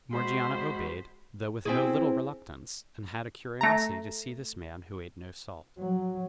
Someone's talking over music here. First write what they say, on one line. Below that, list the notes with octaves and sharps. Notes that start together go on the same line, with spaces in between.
Morgiana obeyed, though with no little reluctance, and had a curiosity to see this man who ate no salt.
G#3 F#4 C5 B5
C4 E4 G#4
A3 A#5
F#3